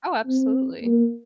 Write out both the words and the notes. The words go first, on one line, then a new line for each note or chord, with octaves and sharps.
Oh, absolutely.
C4
A#3